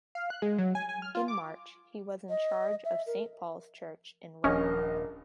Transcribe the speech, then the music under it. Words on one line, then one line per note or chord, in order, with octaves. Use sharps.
In March, he was in charge of Saint Paul's Church in Rome.
F5
F#6
G#3
F#3
G#5
G#5
F6
F4
D6
D#5
E5
A#4
D#1 A#1 C#4 A#4 D#5 F6